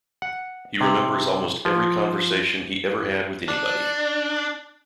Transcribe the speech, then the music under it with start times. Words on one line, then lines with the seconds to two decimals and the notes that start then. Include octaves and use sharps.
He remembers almost every conversation he ever had with anybody.
0.22 F#5
0.81 C3
1.65 F3
3.49 D4